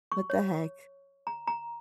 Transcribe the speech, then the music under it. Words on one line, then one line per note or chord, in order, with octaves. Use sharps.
What the heck?
C#6
C#5
A#5
A#5